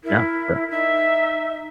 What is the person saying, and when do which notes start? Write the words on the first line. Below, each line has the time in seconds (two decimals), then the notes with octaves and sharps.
Yeah. Yeah.
0.04 E4 A#4
0.70 D#4 E5